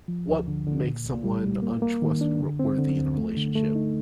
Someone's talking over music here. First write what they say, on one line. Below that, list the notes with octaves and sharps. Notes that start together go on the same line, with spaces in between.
what makes someone untrustworthy in a relationship?
F3
D2
D3
D3
A#2
C2
G3
G3
A#3
A#3
D#3
D4
D3
C4
D3
D2
A3
D3
A3
D#4